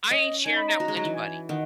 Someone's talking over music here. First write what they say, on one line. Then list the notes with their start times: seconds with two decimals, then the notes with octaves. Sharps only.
I ain't sharing that with anybody.
0.11 C#4 D#5
0.45 D#4 G#5
0.57 B5
0.68 A#5
0.80 F#4 A#5
0.88 G#3
0.96 F#3 A#5
1.05 E3
1.14 G#5
1.49 D#3 F#5